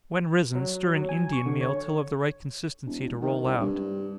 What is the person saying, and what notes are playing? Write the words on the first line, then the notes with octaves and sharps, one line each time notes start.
When risen, stir in Indian meal till of the right consistency to roll out.
F#3
F#3
G#5
C#6
D3
C#5
E1
D#3
C2
G2